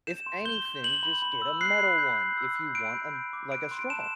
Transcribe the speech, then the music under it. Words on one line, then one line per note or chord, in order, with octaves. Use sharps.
If anything, just get a metal one, if you want a like, a straw.
G6 E7
C6
G6 G7
G6
G6 F#7
B5
B5
E6
F#6 C7
B5
G6
G6
E6
G6
G6 D7
B5
G6
D6
F#6 D7
C6
D7
A5 E7